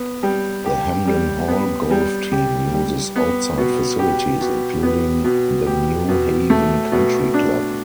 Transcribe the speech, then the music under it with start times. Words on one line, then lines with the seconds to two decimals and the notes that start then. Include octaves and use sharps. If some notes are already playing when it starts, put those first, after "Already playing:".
The Hamden Hall golf team uses outside facilities, including the New Haven Country Club.
Already playing: B3
0.23 G3
0.66 G4
1.07 G3
1.48 B3
1.90 G3
2.32 G4
2.74 G3
3.16 B3
3.58 B2
3.99 G4
4.41 B2
4.83 B3
5.24 B2
5.67 G4
6.08 B2
6.50 A3
6.92 B2
7.34 D4